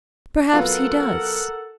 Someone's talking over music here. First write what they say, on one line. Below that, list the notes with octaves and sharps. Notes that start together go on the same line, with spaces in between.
Perhaps he does.
F#3 B3 F4 A4 A#4 F#5